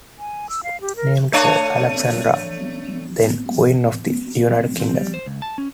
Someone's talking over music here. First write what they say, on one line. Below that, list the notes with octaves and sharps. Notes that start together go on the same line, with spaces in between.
Named for Alexandra, then Queen of the United Kingdom.
G#5
E6
F5
G4
A#4
A3 D4 C#5
C4
G3
C5
C#2
A5
C#4